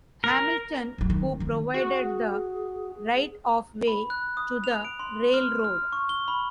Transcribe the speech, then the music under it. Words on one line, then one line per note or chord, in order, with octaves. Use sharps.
Hamilton, who provided the right-of-way to the railroad.
A#4
G1 F#3
D#3
D#3 D#4
F#4 G#4
B5
F#6
D#6
F7
D7
C6
F6
F6
C#6
G7
B5